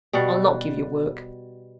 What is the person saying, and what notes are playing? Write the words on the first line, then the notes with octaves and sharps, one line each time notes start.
I'll not give you work.
B2 G3 F#4 F#5